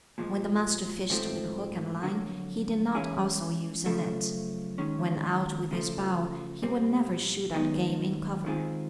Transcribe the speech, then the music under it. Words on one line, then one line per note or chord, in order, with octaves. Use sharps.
When the Master fished with hook and line, he did not also use a net. When out with his bow, he would never shoot at game in cover.
A#2 F3 G#3
G#2 F3 A3 C4
F2 D3 F#3 A#3
E3 G#3 C#4 E4 G#4
F#2 C#3 F3 A3
D#3 G#3 C#4
C#3 F3 A3
A#2 G3 C4
F#2 D#3 G#3 B3 D#4
D#3 G#3 C4 F4 G#4